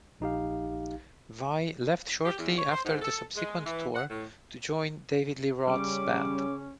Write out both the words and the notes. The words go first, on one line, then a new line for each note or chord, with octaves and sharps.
Vai left shortly after the subsequent tour to join David Lee Roth's band.
A#1 D#4 G4 F5
G4
E2
C#5
C5
G#2
A4
G#3
E3
F#5
A2
C#3 G3 C#4 D6